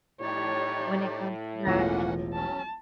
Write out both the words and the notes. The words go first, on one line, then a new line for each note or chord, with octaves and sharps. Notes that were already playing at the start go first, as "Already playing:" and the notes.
when it comes to that, an
A2 D#4 G4 C#5 D5
E1 A1 A#3 C#4 F4 F#5 A#6
F#3 C#4 A5